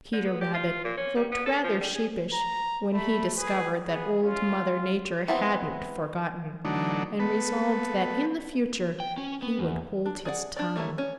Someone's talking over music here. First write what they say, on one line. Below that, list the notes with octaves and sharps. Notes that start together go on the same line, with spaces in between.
Peter Rabbit looked rather sheepish when he discovered that Old Mother Nature hadn't for gotten, and resolved that in the future he would hold his tongue.
D3
B3
G4
F4
A#2
C#4
G3
B3
A4
F3
G3
G#4
A#5
A3 B5
G#4 B4
B3 G#4
C#4 F4
E3 B3 C4
D3 E3 F#3 A3 D4 D#4
A3 B3 B4
G5
C#4
B3
E2
D4
G#4 D5 F#5
D4 D5
G3 A3 A#3 C#4 E4
C#4